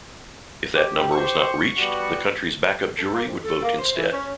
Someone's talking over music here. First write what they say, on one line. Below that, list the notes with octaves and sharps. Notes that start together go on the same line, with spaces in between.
If that number was not reached, the country's backup jury would vote instead.
G4
G4 C5 C#6
G3 B3 F#4
A4
A#3
F2
A4
A#3
C5
E3
C#4